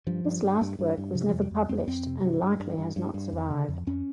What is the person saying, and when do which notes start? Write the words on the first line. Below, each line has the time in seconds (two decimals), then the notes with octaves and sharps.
This last work was never published, and likely has not survived.
0.07 G2 F3
0.24 G2
0.43 G2
0.61 G2
0.79 G2
0.97 G2
1.15 C3 F3
1.29 F3
1.33 F2
1.42 G3
1.51 F2
1.69 F2 C4
1.78 A#3
1.87 F2 C4
2.06 C3
2.24 G2
2.42 G2
2.60 G2
2.78 G2
2.96 G2
3.14 G2
3.33 F2
3.50 C#3
3.68 F2
3.87 F2 C#4